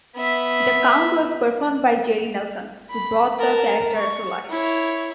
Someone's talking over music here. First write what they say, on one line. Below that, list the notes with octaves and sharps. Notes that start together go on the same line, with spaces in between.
The Count was performed by Jerry Nelson, who brought the character to life.
B3 E5
B5
A#4 A5
C#6
E4 C#5